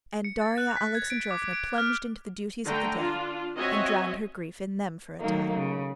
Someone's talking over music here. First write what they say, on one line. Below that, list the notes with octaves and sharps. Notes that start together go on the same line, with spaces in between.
And Darya Alexandrovna plunged into the duties of the day, and drowned her grief in them for a time.
C#7
A6
F#6
B6
G#6
D7
D6
D7
F6
D3 A3 G5 A#5
D4 F4
C4 F#4 C#5 D#5 E5 G#5
D#3 F#3 A3 A#3 D#4
C#3